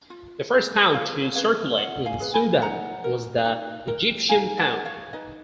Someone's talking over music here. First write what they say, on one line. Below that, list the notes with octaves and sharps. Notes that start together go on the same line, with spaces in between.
The first pound to circulate in Sudan was the Egyptian pound.
F4
G#4 B4
F4 C#5 F5
C#5 F5
G#4 B4 C#5 F5
F4 D#5 F#5
F5 G#5
G#4 B4
G#5 B5
D#4 F#5 A#5
A#4
D#4
A#4
D#4 F5 G#5
D#5 F#5
A#4
C#5 F5
D#4 B4 D#5